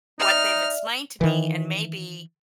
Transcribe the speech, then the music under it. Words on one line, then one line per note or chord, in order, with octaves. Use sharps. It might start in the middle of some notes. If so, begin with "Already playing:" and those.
what they've explained to me, and maybe,
D#4 D5 E5 F6
D#3 E3